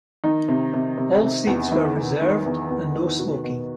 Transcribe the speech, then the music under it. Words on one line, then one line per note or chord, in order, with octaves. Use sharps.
All seats were reserved and no-smoking.
D#3 D#4
C3
C3
C3
C3
E2
D#3 E4
D#3
D#3
E2
E2
D#3
B2 F#4
B2